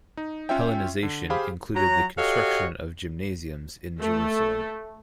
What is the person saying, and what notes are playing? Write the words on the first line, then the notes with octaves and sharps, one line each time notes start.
Hellenization included the construction of gymnasiums in Jerusalem.
D#4
C#4 F4 C#5 E5 G5
D3
G4 G#4 C5 F5 B5
F#3 A#5
F#4 G4 A4 C#5 D#5 F5
A3